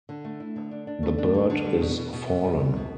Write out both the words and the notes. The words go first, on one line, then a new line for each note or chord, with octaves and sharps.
The Bird is Fallen.
D3
A3
E4
D3
D4
D4
A3
D4
D3
D3
G3
B2
B2
B2
B3
G3
B2
B2